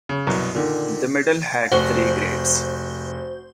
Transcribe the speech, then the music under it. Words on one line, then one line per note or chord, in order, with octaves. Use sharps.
The medal had three grades.
C#3
C2 F#2 B2
A#2 D3 D#3
F1 F#4 C5